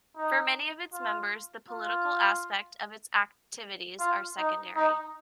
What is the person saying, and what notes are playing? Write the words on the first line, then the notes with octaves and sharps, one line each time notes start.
For many of its members the political aspect of its activities are secondary.
D#4
F4
F4
F4
D#4
D#4